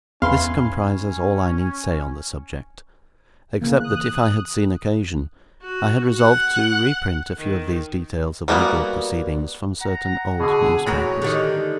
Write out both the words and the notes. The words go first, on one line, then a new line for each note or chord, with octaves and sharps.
This comprises all I need say on the subject; except that if I had seen occasion, I had resolved to reprint a few of these details of legal proceedings, from certain old newspapers.
E2 C#4 E4 B4 F5 C6
C#3 E3 A#3
D#6 F#6
F#4
F#5
D#3
G3 A#3 B3 D#4 F#4
F#5 A#5
B2 D3 G#4
E3 G#3 A3 F#4 A#4 C#5
D3 D#3 G4